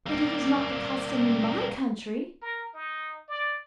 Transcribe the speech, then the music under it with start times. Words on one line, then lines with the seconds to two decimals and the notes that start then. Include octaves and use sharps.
'But it is not the customer in MY country!
0.06 G3 A#3
2.42 A#4
2.74 D#4
3.28 D5